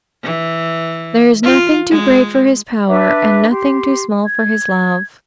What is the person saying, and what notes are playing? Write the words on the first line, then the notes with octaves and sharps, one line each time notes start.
"There is nothing too great for his power, And nothing too small for his love!"
E3
F4
G#3
D4 B4 E5 D6
G4 C6
G#6